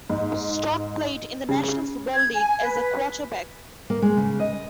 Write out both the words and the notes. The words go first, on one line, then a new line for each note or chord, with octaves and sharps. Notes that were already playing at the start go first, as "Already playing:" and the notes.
Strock played in the National Football League as a quarterback.
G#2
C#3
G#6
G#5
B4
A#3
G#3
C#3
D#5